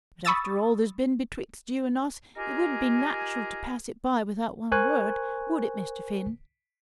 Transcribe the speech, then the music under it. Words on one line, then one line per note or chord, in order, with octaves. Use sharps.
But after all there's been betwixt you and us it wouldn't be natural to pass it by without one word; would it, Mr. Finn?
B5 C#6 D#6 E6 A6
D#4 F4 G4 G#4 A#4 G#5
A#4 C5 G#5 C#6 F#6